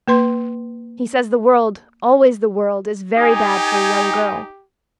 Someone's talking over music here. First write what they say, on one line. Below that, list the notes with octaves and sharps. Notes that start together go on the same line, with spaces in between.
He says the world, always the world, is very bad for a young girl.
A#3 B4 C6
D#4 G4 G#5